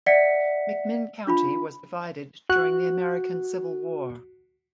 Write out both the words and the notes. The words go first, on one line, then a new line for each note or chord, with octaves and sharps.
McMinn County was divided during the American Civil War.
D5 E5 F#5 B6 C#7
D4 F4 B5
F#4 F#6